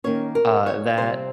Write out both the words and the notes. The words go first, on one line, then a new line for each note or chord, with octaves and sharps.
Uh, that
D#3 A#3 C#4 C#5
A#4
C#5
C3 G3 C4 C5